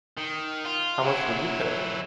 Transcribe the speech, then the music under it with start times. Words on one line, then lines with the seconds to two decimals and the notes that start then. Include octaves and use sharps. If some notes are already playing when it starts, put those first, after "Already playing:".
How much will you pay?
0.17 D#3
0.65 F4
1.03 F#3 E4